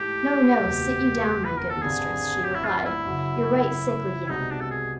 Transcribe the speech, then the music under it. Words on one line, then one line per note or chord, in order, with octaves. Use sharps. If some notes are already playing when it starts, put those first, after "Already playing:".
'No, no; sit you down, my good mistress,' she replied; 'you're right sickly yet.
Already playing: G#2 E3 A3 G4
F#1 E2 B2
B4
A#4
A4
G#1 G2 D3 G3 G#4
G4
E4
F4
E4
F#2 C#3 F#3
C2 B2 G#3 D#4
D4
A4
G#4